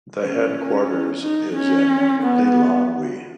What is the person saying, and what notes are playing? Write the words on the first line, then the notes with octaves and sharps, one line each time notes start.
The headquarters is in Lilongwe.
C#4
D#4
C#4
B3